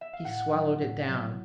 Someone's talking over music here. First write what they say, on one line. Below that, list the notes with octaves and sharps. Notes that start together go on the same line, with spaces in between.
He swallowed it down.
E5
F5
A2 F#5
F#3
A2
F#3